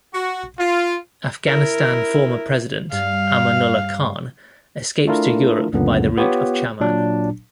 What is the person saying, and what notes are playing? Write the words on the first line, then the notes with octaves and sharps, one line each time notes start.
Afghanistan Former President Amanullah Khan escapes to Europe by the route of Chaman.
F#4
F4
E4 A#4
G2 F5
A3 D4 E4 F4 A#4
C#2 F#2 A#2 D3 B3
B3 F4 G4 C#5
A#2 F#3 D4